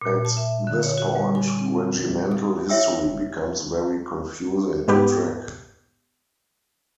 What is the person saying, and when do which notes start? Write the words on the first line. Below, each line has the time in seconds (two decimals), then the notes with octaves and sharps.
At this point, regimental history becomes very confusing to track.
0.01 A#2
0.25 A5
0.37 E5
0.67 D3
0.83 C#5
0.98 F#4
1.15 G3
1.35 G#5
1.59 C4
2.31 D#6
2.69 E4 C#5 E5 G5 E6
4.88 G#2 B3 G4